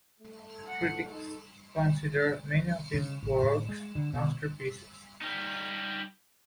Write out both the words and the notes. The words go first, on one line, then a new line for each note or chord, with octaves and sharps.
Critics consider many of his works masterpieces.
A3
F#5
D#4 A4
C#3
A1
A2
G#3
D3
B2
G3 D#4